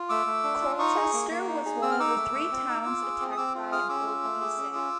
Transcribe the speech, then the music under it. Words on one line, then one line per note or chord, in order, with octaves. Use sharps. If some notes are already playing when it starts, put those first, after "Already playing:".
Colchester was one of the three towns attacked by Boadicea.
Already playing: F4
A3 D6 E6
A3
D4
F4
D#4 C#6 D#6
G#4
A#3
A#3
D#4
G#4
C4 E6
F6
D#4 D6 E6
A3
A3
C4
D#4
F4
G#4
C4
D#6
C4 D6 E6
F4
G#4 D#6 F6
C#4 D6 E6
F4
A3
G#4
C#4
F4